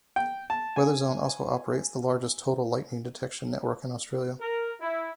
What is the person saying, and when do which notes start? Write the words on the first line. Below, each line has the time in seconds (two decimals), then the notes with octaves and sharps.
Weatherzone also operates the largest total lightning detection network in Australia.
0.16 G5
0.50 A5
0.76 G#5
4.39 A#4
4.81 E4